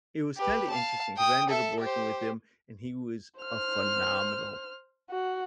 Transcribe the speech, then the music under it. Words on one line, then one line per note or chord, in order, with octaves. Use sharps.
it was, kinda, interesting 'cause I ended up working with him, and he was a phenomenal
G4 B4
F5 A5
G5 D#6
A4 E5
G4 C5
C5 F6
F#4